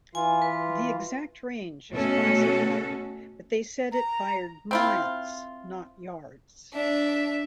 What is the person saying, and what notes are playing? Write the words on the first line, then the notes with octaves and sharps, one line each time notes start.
The exact range is classified, but they said it fired "miles not yards".
E3 F4 G#5
B4
B2 A3 C#4 F#4 A4
A#5
C4 E4 F4
D4 E5